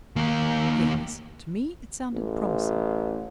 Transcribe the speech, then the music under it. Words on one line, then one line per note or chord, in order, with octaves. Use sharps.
"Yes?" To me it sounded promising.
D#2 A#3
A1